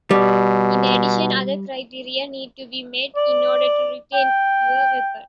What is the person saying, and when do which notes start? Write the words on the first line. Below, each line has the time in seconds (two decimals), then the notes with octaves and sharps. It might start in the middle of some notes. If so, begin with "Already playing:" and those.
In addition, other criteria need to be met in order to retain your weapon.
0.11 B2 G3
3.16 D5
4.14 G5